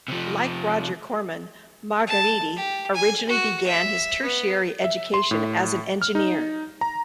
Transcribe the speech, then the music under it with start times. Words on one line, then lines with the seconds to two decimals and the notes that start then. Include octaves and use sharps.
Like Roger Corman, Margheriti originally began his tertiary education as an engineer.
0.08 C3 F3
2.07 A5
2.56 G4
2.94 G#5
3.29 F#4
3.67 E5
4.22 B3
4.84 E5
5.14 C6
5.31 A2
6.02 F6
6.15 D#4
6.81 A#5